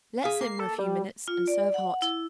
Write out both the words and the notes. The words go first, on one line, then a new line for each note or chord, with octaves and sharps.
Let simmer a few minutes and serve hot.
G#4 F5 B6
A#3 C7
A4
G3
F4
D5
F#5
E4